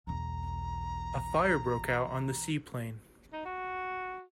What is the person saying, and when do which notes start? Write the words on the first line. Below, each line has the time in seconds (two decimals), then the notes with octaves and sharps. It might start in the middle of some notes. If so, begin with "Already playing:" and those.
A fire broke out on the seaplane.
0.07 B1 E2 A#5
3.33 D#4
3.45 F#4